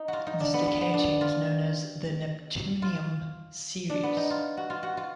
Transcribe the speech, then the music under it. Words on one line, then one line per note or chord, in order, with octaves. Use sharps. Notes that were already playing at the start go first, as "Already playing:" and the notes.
This decay chain is known as the neptunium series.
Already playing: D#4
F4 F#4
D#4
D4
B3
B3
B3
D4
F4
F4
D4
B3
D#4
F4
F#4
F4
F#4
F4